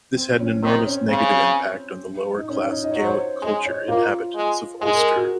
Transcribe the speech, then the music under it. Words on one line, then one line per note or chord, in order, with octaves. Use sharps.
This had an enormous negative impact on the lower class Gaelic-culture inhabitants of Ulster.
C4
C#4
D#3 C4
C#4
C#3 C4
C#4
D#4
C#4
C#4
D#4
D#5
C#5
F#3 C5
C#5
G#3 D#5
C#5
A#3 F4
G#3
G#3 G#4
A#4
F#4